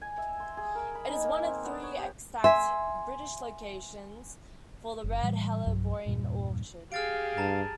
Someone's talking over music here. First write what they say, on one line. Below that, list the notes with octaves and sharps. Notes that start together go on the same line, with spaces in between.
It is one of three extant British locations for the red helleborine orchid.
G#5
E5
C6
G#4
A#4
B5
D#4
A#3
C4
B3
C#5
G4
E5 G#5 C6
F#1
A2 E3 G3
B1 G2 F#3
E2 G2 A#2
G4 G#4 F5 F6 A6 D7
G2 A5 A#5 A6